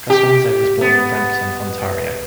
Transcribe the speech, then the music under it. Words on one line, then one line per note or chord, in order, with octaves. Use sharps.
Costanzo was born in Brampton, Ontario.
G4
B3